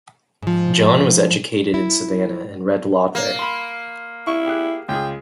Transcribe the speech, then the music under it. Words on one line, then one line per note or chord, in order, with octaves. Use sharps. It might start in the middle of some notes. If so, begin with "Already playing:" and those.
John was educated in Savannah and read law there.
G#2 F3
E4
A#3
B5 C6
E4 C#6
G4 G#4 F#6
C#2 F4 G#4 G5